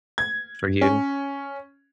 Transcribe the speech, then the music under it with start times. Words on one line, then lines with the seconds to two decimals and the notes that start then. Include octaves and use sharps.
for you.
0.18 G#6
0.82 C#4